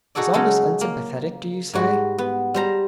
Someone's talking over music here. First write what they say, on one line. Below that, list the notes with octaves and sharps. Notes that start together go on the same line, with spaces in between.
Is all this unsympathetic, do you say?
D#4 F#4 G#4 A4 D5
C#3 F#3 G#3 A4
A#3
G#2 G3 F#4
B3
G3 C5 A#5